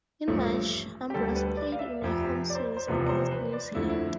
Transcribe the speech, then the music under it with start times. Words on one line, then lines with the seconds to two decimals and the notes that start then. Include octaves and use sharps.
In March, Ambrose played in a home series against New Zealand.
0.27 A1 G2 F3 A3
1.10 G4
1.14 D2 D3 G3 A4
1.36 B4
1.57 D5
1.72 F5
1.79 E5
2.01 F1 F2 C3
2.50 D5
2.55 C5
2.77 C5
2.87 F1 E2 C3 F3 B3 B4
3.05 D5
3.09 C5
3.31 B4
3.53 D5
3.75 F2 D3 A3 E4
3.89 E4